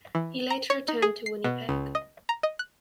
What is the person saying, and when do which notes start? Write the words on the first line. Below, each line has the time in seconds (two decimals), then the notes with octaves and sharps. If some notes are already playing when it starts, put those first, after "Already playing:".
He later returned to Winnipeg.
0.15 E3
0.50 A#5
0.70 C#5
0.88 D#4
1.02 G#4
1.26 C7
1.44 B2
1.69 C#2
1.95 D#5
2.29 A#5
2.43 D#5
2.59 F#6